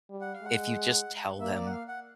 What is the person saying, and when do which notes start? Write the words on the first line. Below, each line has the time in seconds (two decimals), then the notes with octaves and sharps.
if you just tell them,
0.10 G3
0.21 F#5
0.34 F5
0.42 G#3 F#5
1.40 A#3 E5
1.55 D5
1.66 F#5
1.72 F5
1.88 F#5